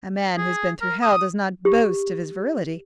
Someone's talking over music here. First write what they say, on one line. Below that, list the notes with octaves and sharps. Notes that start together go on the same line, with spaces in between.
A man who has been through hell does not boast of his virility.
G#4
A#4
D#6
G4